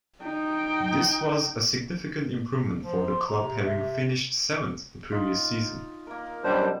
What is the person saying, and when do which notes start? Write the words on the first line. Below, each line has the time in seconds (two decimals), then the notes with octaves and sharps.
This was a significant improvement for the club having finished seventh the previous season.
0.22 D#4 G5
2.83 F3
3.08 C6
3.27 A#5
3.40 C3
3.63 E5
5.12 D#4 F4
6.07 A#3 A#4
6.44 F#2 B2 G3 D4 C5